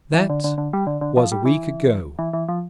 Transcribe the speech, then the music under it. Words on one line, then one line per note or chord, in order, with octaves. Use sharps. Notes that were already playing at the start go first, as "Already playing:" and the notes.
That was a week ago.
E3
D3
D3
D3
G3
D3
D3
F3
G3
E3
E3
E3
F3